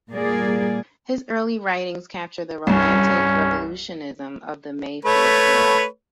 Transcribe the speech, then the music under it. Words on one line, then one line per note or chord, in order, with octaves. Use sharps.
His early writings capture the romantic revolutionism of the May Fourth era.
A#2 G3 A#3 G#4 D5
C2 G2 C#4
A3 B4 C#5